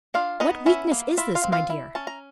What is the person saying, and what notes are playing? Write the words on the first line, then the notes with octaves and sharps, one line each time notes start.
What weakness is this, my dear!
D4 F4 F5
B3 D#4 D#5
C#4 E4 E5
A#3
E4 F4 E5
F4 F5
C4
F4 F5
E4
C#4 A5
A#5